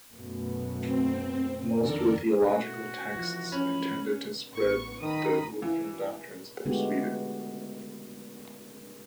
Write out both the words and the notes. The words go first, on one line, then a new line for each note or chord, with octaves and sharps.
Most were theological texts intended to spread the Lutheran doctrines through Sweden.
F#2 B2 A3
C4
F2 D3 D#3 A4 A#4 D5
B2 A3 F#4
E3 F3 F4
C#4 B5
A1 B3 C#6
D#3 A#5 B5 D#6
E3
D3 G#3 A3 B3 F#4 G4